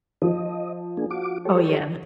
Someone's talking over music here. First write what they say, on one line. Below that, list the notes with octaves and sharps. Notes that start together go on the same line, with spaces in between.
Oh, yeah.
F3 D#5
A#3 D4 G#4
F4 F#4 D6
G4 A4 C#5